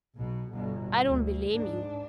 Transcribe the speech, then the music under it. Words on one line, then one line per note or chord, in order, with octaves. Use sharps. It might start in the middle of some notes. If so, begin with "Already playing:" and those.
I don't blame you.
B1 B2
G1 B2
D2
G#2 D4